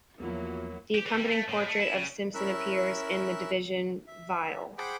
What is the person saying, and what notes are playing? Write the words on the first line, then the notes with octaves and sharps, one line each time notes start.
The accompanying portrait of Simpson appears in "The Division Viol".
E2 F3 F#3 A#3 E4
G4
E3
G3
A3
A2
A3
E4
C#3
C#4 E4 A#4 E5 E6 F#6
E5
G#4 C5 F#5 G5 B5 D6